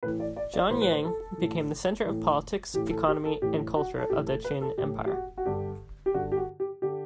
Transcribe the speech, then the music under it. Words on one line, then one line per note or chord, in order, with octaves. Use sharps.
Xianyang became the centre of politics, economy and culture of the Qin empire.
A2 E3 B4
D5
D5
D5
A2 E3 C5
B4
C5
A4
A2 E3
A2 E3
A2 E3 G4
A4
G4
A4
A2 E3 G4
F#4
A4
A2 E3 G4
A4
B4
A4
A2 E3 G4
G4
F#4
F#4
G2 D3 G4
G4
G2 D3 F#4
G4
F#4
G4
D3 G4